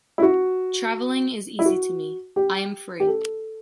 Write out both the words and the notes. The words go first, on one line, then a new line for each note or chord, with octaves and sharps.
Traveling is easy to me... I am free.
E4
F#4
E4
F#4
G4
G4
A4